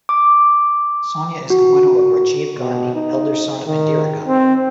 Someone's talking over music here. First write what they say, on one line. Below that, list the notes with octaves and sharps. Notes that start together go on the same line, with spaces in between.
Sonia is the widow of Rajiv Gandhi, elder son of Indira Gandhi.
D6
F#4
B2
D#4
D#3
C4